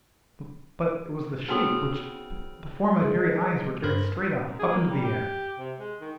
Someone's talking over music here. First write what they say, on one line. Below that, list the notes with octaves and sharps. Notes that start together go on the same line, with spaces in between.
But--but--it was the sheep, which, be--before my very eyes, were carried straight up--up into the air.
C#3 B3 C4 D#4 F#4 A4
G#3
G2 A#4 C5 B5
F#2
G#4
A#3
G3
G4
C3
G#3
D#3